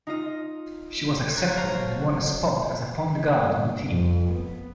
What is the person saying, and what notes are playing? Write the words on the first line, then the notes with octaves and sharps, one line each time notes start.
She was accepted and won a spot as a point guard on the team.
D#4 F4 D#5
C#5 A#5 F#6 G#6
F#3 C5 F5 A5 A#5
F#3
G1
F2
B3